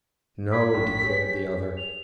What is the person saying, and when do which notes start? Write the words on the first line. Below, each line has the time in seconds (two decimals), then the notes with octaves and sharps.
"No," declared the other.
0.52 B5 D6 G#6 B6
0.74 A#1 A2
1.03 G4 G#4 C#5
1.77 F7